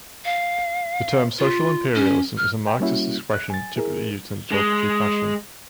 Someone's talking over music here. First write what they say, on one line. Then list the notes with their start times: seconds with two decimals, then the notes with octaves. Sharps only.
The term "social imperialism" is a Marxist expression, typically used in a derogatory fashion.
0.25 F5
1.39 F4
1.95 C#4
2.38 F6
2.67 G5 G#5
2.80 G3 A#3 C#4 E4 F#4
3.34 F#6
3.50 G#5 A6
3.76 E4 G#4 A#4
4.52 G#3